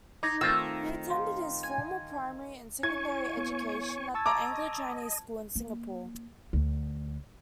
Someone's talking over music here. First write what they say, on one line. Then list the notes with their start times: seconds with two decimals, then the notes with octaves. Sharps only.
He attended his formal primary and secondary education at the Anglo-Chinese School in Singapore.
0.23 D#4 D6 G#6 A#6
0.41 D#3 A3 C4 F4 E6
1.10 F5 C6
1.63 G#5
2.83 E4 C#5 G#5 C#6 G#6
3.37 B3
4.14 A5 C#6 E6 G#6 A6
4.26 D#5 A#5 D6
5.55 A#3
6.53 D2